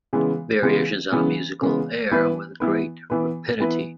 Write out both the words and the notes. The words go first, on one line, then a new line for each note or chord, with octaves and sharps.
Variations on a musical air With great rapidity.
C#3 E3 G#3 B3
C#3 E3 G#3 B3
C#3 E3 G#3 B3
C#3 E3 G#3 B3
E3 B3 E4 B4
E3 B3 E4 B4
E3 B3 E4 B4
E3 B3 E4 B4